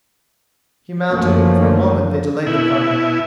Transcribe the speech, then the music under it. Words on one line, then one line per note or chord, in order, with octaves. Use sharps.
He mounted and for a moment they delayed the parting.
F#2 F3 A3 A#3
B2 E4